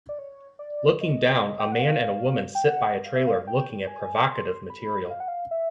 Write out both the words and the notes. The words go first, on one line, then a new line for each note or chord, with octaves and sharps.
Looking down, a man and woman sit by a trailer looking at provocative material.
D5
C#5
D5
D#5
E5
D#5
G5
F#5
F5
G5
F#5
F5
E5
F5
G5
G#5
C6
B5
F5
F#5
F5
E5